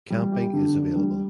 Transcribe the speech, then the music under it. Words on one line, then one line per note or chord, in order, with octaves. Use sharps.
Camping is available.
G3
G4
D3
D4
G3